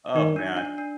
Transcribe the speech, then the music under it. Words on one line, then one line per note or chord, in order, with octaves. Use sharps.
Oh, man.
D#3 D#4
D4
D4
D4